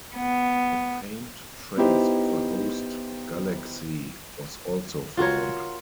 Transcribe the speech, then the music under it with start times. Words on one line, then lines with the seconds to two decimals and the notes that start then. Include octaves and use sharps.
A faint trace of a host galaxy was also found.
0.16 B3
1.77 B3 D#4 E4 G4 C5
5.17 F4 F#4 A#4 C#5